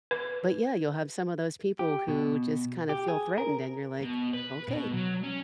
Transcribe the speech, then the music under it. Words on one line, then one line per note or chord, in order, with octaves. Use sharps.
But, yeah, you'll have some of those people who just kinda feel threatened and you're like, "Okay."
B4
G4
B2
G4
G#4
A#4
B2
B4
B2
F#3
C#4